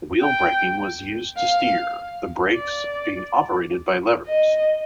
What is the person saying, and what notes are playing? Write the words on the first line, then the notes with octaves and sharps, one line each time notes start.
Wheel braking was used to steer, the brakes being operated by levers.
G5
F5
D5
D#5